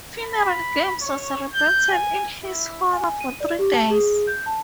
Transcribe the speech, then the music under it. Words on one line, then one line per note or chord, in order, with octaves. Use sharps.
Funeral games were celebrated in his honor for three days.
B5
C#5
G6
G#5
E4
G#5
D#7
D5
G4
A5
G#4
G6
A5